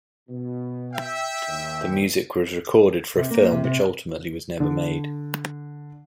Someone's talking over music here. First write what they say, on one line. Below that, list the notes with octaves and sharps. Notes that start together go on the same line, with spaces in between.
The music was recorded for a film which ultimately was never made.
B2
E5 G5
D#2
C3
A#3
C3
C3
D3